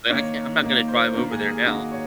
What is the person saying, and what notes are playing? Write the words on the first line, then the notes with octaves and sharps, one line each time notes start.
but I can't I'm not gonna drive over there now.
D#3 A#3 C#5
D#3 A#3
C5
D#3 A#3 A#4
G#4
G#4
D#3 A#3 F#4
C#5